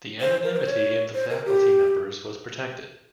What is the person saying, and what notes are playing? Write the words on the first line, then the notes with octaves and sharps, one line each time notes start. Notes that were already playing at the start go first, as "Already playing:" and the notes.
The anonymity of the faculty members was protected.
C5
A#4
C5
C#5
C5
A#4
G4